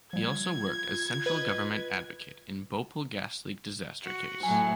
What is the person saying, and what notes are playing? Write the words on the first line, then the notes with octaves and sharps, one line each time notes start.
He also worked as Central Government advocate in Bhopal Gas Leak Disaster case.
F3 G3 F4 G#6
B4 D#5
F#4
A2 F#3 G#5